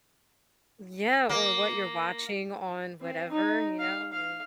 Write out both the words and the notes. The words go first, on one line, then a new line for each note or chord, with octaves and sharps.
Yeah, or what you're watching on whatever, you know, like
A#3
C4
D#4
F5
F5